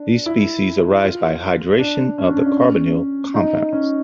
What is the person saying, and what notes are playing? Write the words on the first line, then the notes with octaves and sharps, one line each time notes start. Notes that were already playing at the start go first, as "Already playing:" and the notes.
These species arise by hydration of the carbonyl compounds.
Already playing: D4
E4
F4
D4
C#4
D4
C#4
D4
C#4
D#4
C#4